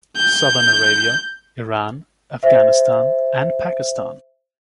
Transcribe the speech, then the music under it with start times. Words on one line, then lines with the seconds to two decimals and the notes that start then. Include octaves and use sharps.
Southern Arabia, Iran, Afghanistan and Pakistan.
0.16 G6
2.43 C5 E5